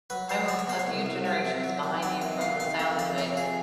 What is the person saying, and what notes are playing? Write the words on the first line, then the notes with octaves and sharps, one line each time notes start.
I'm a few generations behind you from the sounds of it,
F#3 B4
F#3 C5
F#3 D5
C#5
B2 C5
C#5
C2
C2
F#3
C3
F#3
D#3
F#3 D5
C3 D#5
E2 F5
D#3 F5
F2 E5
F2 D5
C3 C#5
F2 G#4